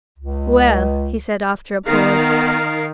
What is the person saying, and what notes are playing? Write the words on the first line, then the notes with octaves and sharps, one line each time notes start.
"Well?" he said after a pause.
C#2
D#3 B3 A#4 F5